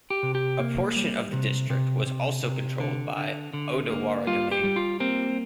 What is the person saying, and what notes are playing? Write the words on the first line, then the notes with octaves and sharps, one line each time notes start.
A portion of the district was also controlled by Odawara Domain.
G4
C3
G4
A#3
G3
C3
C3
C3
C3
D3
D3
D3
A#3
G3 F4
G4
G3
F4
A#3 C4